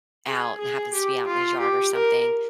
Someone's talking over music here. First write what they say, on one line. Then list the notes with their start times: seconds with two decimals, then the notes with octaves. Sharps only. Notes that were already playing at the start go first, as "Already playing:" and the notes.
out and happens to be out in his yard or something.
0.27 G#4
0.60 G#4
0.94 G4
1.27 F4
1.60 G4
1.93 A#4